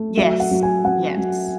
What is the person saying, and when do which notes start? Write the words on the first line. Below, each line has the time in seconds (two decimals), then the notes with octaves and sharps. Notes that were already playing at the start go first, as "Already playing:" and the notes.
Yes, yes.
Already playing: A3
0.17 F#3 E5
0.40 F#5
0.51 F#3
0.62 G#5
0.84 F#3 F#5
1.18 F#3